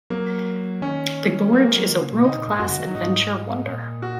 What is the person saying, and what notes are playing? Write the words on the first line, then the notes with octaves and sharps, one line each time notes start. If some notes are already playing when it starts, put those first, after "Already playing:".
The gorge is a world-class adventure wonder.
F#3 A#3
D#3 C#4
F#3 A#3
G#3
F#3
D#3
C#3
A#2
C#3 D#4
A#2
G#2
F#2 F#4
C#3
D#3
F#3
G#2 D#4
A#2
F#4